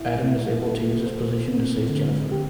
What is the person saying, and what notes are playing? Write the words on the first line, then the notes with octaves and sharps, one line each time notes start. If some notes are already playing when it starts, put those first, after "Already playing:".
Adam is able to use his position to save Jennifer.
Already playing: E4 E5
A3
A4
C5
C4
D3
G4